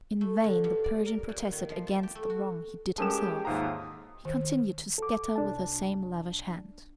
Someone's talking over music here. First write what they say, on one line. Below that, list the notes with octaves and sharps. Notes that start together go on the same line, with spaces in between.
In vain the Persian protested against the wrong he did himself; he continued to scatter with the same lavish hand.
A3
D3
G2
D5
A#4
A#2
D#3
F3
A5
G4
A3
F#4
G#3 C#4 G4 A4 A#4 A5 E7
D#2 G#2 F4 E5 A#5 D#6
D#3
A4 D6
C2 D4 A5